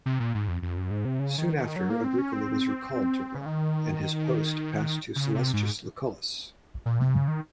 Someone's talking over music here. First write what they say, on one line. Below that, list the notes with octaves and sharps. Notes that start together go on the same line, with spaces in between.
Soon after Agricola was recalled to Rome, and his post passed to Sallustius Lucullus.
C3
A#2
G#2
F2
F2
F#2
G#2
C3
C#3
D#3
D#3
F#3
A#3
C4
C#4
C4
C#3
D#3
C#3
C3
G#2
A#2
C3
C#3
D#3